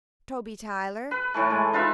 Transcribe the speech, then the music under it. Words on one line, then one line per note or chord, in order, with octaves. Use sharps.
"Toby Tyler."
B4
A2 E3 A3
G#3
D#4 F4 B4 E5